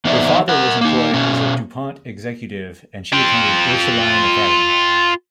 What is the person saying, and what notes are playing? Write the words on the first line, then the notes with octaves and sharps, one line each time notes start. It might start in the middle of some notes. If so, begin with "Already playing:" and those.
Her father was employed as a DuPont executive and she attended Ursuline Academy.
E3 B3 D#4 C5 D5 E5
A#4 F#5
A#3 D#4
B2 C#4
F4 G5